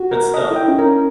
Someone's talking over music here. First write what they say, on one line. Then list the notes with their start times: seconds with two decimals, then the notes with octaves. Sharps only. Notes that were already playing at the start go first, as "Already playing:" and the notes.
but still.
Already playing: F#4
0.11 A#4
0.34 A4 D#5
0.51 E4
0.56 G5
0.68 C#4
0.79 A#4
0.85 C#4